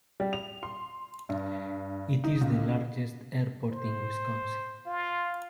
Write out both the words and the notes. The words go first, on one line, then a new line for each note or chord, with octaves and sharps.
It is the largest airport in Wisconsin.
G3
F7
C6
G2
D#4
C#2
C5
F4